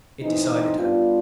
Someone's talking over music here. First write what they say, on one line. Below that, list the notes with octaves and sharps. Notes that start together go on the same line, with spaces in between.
It decided her.
E3 A3 C4 D#4
G3 B3 D4 F4